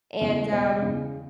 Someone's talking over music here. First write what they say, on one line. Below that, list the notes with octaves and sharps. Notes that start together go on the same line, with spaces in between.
And, um,
E2 C#3
E1 D#5
E2 C#3